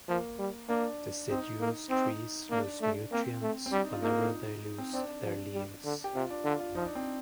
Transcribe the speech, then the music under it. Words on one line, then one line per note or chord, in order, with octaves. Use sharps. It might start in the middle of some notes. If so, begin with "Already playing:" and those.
Deciduous trees lose nutrients whenever they lose their leaves.
F3 A#3
G3
A#3 D4
C4 D#4
A#3
C4 D#4
A#3 D4
A3
A#3 C4
A3
C4
G3 D4
D#4
F4
A#3 D#4
C4
C4 D4
F3
G3
D3
G4
C3 F4
D4
D3 F4
F4
F3 D#4
D4
C4